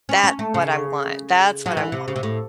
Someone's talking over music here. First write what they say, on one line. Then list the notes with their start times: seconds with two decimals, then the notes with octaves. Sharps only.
That's what I want, that's what I want,
0.09 C#4
0.24 C#4
0.39 A3
0.54 C#3
1.66 F#3
1.77 E3
1.92 C3
2.08 C#3
2.16 C3
2.23 A2